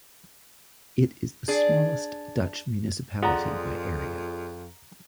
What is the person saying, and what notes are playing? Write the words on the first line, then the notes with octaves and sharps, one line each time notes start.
It is the smallest Dutch municipality by area.
D4 G#4
F2 F4 G#4 D5 F#5 A#5